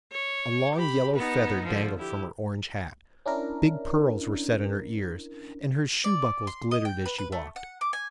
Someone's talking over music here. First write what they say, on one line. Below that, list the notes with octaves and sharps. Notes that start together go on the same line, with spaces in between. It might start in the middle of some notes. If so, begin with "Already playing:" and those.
A long yellow feather dangled from her orange hat, big pearls were set in her ears, and her shoe-buckles glittered as she walked.
C#5
G4 B5
B3 D#4
D3 F3
E4 G4
C#4 D4 E4 A#4
D5
C6
D#5
G5
B4
B4
A3
F#5
D6
G#5